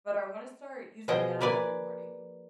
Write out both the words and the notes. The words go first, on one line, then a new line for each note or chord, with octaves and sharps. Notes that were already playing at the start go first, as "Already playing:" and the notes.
But, I wanna start using that every morning.
B2 F3 G#4 D#5 G5
A#3 B4 D5 G#5